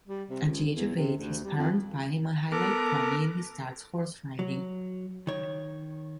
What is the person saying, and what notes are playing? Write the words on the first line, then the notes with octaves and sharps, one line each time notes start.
At the age of eight, his parents buy him a Highland pony and he starts horse riding.
G3
C3
C#2
E2
C3
D2
G3
F2
B3 A4 A#4 D6
F#3
D#3 C#5